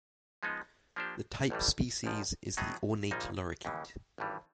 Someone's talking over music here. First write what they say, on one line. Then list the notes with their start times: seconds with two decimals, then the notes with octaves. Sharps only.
The type species is the ornate lorikeet.
0.43 F3 G#3 B3 D#4
0.96 F3 A#3 D4 G4 C5
1.50 A1 A2 E3 G3
2.04 A1 G#2 F3
2.57 A2 F#3 B3 D#4 G#4
3.11 A#1 A#2 G3 A#3 D#4
3.65 D#2 C#3 E3
4.18 G#1 G2 E3 G3